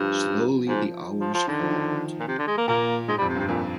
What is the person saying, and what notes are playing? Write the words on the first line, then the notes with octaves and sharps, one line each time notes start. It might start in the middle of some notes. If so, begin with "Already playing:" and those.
Slowly the hours crawled.
Already playing: G2 F3
G#2 F3
F3
F3
D3 D#3
F3
D#3
A#2
C3
D3
G#3
A#3
A#2 A#3
G#2 G#3
G3
F2
C3
G2
C3
F2 A#2